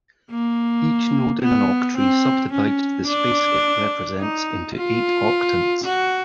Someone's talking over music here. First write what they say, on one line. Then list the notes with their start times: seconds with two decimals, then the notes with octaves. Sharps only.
Each node in an octree subdivides the space it represents into eight octants.
0.30 A#3
1.41 B3
1.97 C4
2.52 C#4
3.07 D4
4.18 D#4
4.74 F4
5.84 F#4